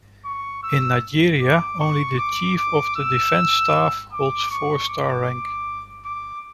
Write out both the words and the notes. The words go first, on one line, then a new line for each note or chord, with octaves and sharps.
In Nigeria, only the Chief of the Defence Staff holds four-star rank.
C#6
E6
D6
C#6
D6
D6
E6
D6
C#6
D6
D6